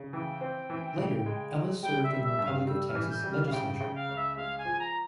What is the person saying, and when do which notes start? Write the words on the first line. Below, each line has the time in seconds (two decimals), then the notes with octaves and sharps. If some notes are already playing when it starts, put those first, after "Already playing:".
Later, Ellis served in the Republic of Texas legislature.
Already playing: C#3
0.12 E3 G5
0.41 C4
0.70 E3
0.98 C#3
1.26 G#3
1.54 G#3
1.83 G3 G5
2.04 E5
2.11 G3
2.24 E5
2.39 G2
2.45 F5
2.67 G3 E6
2.88 F6
2.95 E3
3.10 G6
3.23 G3
3.31 F6
3.46 F5
3.52 C#3 G5
3.73 G5
3.80 C#3
3.95 F5
4.09 C#2
4.16 E5
4.37 G#3 F5
4.58 G#5
4.65 F3
4.79 A#5